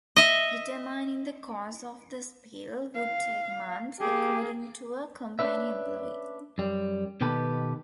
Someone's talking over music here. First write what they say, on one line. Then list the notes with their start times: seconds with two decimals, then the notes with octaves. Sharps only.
Determining the cause of the spill would take months, according to a company employee.
0.16 D#5 E5
2.95 F5
4.00 A#3 G4 G#4
5.39 C#4 D4 B4 E5
6.58 F#2 G3
7.21 B2 D#3 B3 G4 A4 B4